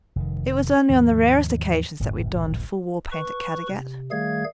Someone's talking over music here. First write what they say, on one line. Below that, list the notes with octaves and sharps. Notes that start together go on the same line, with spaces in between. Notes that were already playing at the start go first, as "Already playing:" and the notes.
It was only on the rarest occasion that we donned full war-paint at Caddagat.
F1 D#3
D#2 G#2 F3
D1 G1 G2 A#2
B4 C#6
C3
D#3 G3 A3 G#4 F5 G#6